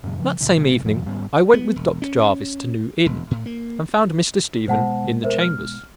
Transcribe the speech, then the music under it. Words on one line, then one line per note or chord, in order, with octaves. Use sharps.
That same evening I went with Dr. Jervis to New Inn and found Mr. Stephen in the chambers.
F#2 A#2 C#3 F#3
C#3 F3
D2 B2 D3
G#1 C3
F2 G#2 F3
G#2 G3 B3 C#4
B3
E1
C#4
E1
A2
A#3
B2 G#3 C5 F#5 A5
A#4 C5 E5
F6